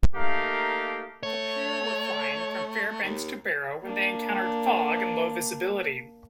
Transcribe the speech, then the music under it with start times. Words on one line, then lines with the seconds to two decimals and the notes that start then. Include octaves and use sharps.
The pair were flying from Fairbanks to Barrow when they encountered fog and low-visibility.
0.15 A3 A#3 D#4 G4 A#4 F5
1.23 A3 C#5
3.03 D#2
3.82 A#3 D4